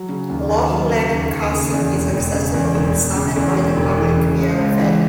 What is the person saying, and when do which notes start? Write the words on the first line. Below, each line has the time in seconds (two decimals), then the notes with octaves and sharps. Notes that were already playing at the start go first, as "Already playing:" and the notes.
Loch Leven Castle is accessible in summer by the public via a ferry.
Already playing: F#3
0.09 C#3
0.29 D#2
0.49 D#2
0.70 F#3
0.90 C#3
1.11 D#2
1.31 D#2
1.52 C#3
1.72 E2
1.93 E1
2.13 E1
2.34 C#3
2.54 E2
2.74 E1
2.96 E1
3.16 C#3
3.36 E2
3.56 E1
3.77 E1
3.98 E3
4.17 C#3
4.39 G#3
4.59 C#2
4.79 E3